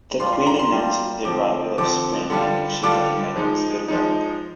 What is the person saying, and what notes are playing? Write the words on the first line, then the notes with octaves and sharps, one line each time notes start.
The Queen announces the arrival of spring and wishes the inmates good luck.
G3 D4 F4 C6
C6
A#5
C6
G3 D4 F4
D3 F3 C4 D6
D3 F3 C4 D6
D3 G3 D4 F4
D3 G3 D4 F4 D6
F3 G#3 D#4
F3 G#3 D#4